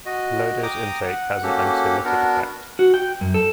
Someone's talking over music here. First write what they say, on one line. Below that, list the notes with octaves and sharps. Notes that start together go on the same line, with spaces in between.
Low dose intake has an anxiolytic effect.
F#4 D#5
G5 A#5 D6 D#6
F#5
A#3 C#4 F#4 G4 A4
B3 D4 F#4 A#4
F#4
G5
F#2
A4